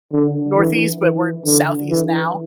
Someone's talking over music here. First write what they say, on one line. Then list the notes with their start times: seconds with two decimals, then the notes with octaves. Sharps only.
Northeast, but we're Southeast now.
0.13 D3
0.57 E3
1.01 E3
1.46 D3
1.90 E3